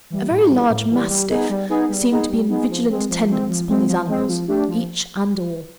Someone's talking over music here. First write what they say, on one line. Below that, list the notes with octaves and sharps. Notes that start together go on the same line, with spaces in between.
A very large mastiff seemed to be in vigilant attendance upon these animals, each and all.
E3 G3
A2
E3 G3
A2
E3 G3
G3
B3 D#4 G#4
G3
B3 D#4 G#4
G3
B3 D#4 G#4
G3
B3 D#4 G#4
F3
G#3 C4
F3
G#3 C4
F3
G#3 C4
F3
G#3 C4
F3
A3 D4 G4
F3